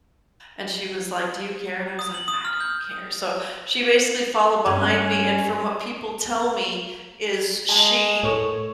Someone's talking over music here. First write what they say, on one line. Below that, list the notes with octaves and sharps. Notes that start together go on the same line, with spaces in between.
and she was like, "Do you care?" and I was like, "I don't care," so, she basically followed behind me, and from what people tell me is she,
D#6
F#7
D#6
F6
G6
G2 C#4 G#5
G#3 A5
A2 A4 A#4 C#5 C#6